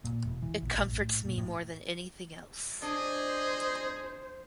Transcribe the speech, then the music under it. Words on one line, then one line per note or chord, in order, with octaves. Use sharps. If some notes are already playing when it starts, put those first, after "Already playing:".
It comforts me more than anything else.
A#2
E1
E3
A#1
A#1
A2
A#2
A2
D4 G#4 C5 D#5